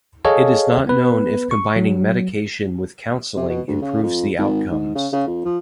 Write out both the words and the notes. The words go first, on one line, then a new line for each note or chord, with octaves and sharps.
It is not known if combining medication with counseling improves the outcomes.
G#4 A4 C#5 D#5 F5 A5
B3 B4
C#6
F#3
C3
B2
D2
C#3
F2
G#1
G#2
C#3
C#3
F2
F3